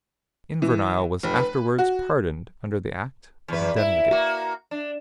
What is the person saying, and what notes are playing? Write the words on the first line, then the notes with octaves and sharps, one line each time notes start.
Invernahyle was afterwards pardoned under the Act of Indemnity.
E3
F1
B4
F#4
E2 B4
E4
A#3 F#4
D4